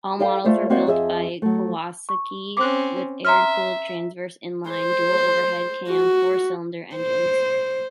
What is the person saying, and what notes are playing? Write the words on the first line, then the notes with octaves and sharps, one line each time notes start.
All models were built by Kawasaki with air-cooled, transverse inline, dual-overhead-cam, four-cylinder engines.
G4 A4 D5 F5 G5
A3 F4 C5 D5
A#3 C4 F#4 C5 D5 D#5
F2 G#4 D#5 E5 A5
F#3 A3
C#6
C4 C#4 D6 F#6
E5 A#5 C6 F6
C5
F#4
C5